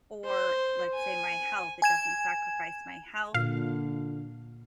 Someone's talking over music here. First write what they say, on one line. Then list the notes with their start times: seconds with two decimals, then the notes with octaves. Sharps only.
or let's say my health, it doesn't sacrifice my health,
0.25 C5
0.95 G#5
1.82 G#5 G#6 E7
3.34 A#2 D3 F5